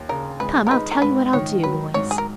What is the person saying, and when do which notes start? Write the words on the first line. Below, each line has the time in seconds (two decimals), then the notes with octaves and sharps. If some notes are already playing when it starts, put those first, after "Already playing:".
"Come, I'll tell you what I'll do, boys."
Already playing: D#2
0.09 C#3 A#4
0.40 G#3 B4
0.67 A#4
0.71 D#4 B4
0.91 A#4
1.02 G#2 B4
1.33 D#3 C#5
1.63 F#3 B4
1.94 G#2 C#5
2.11 G#4
2.18 A#4